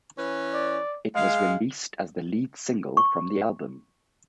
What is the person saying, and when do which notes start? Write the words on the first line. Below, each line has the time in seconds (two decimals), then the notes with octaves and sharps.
It was released as the lead single from the album.
0.18 E3 C#4 B4
0.53 D5
1.16 G#3 F5
2.97 C#6